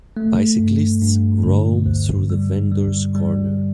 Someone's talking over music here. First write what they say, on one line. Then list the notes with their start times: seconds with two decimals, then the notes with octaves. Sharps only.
Bicyclists roam through the vendors ' corner.
0.17 A3
0.59 G2
1.02 G2
1.44 D3
1.86 D2
2.30 G3
2.72 G3
3.15 G3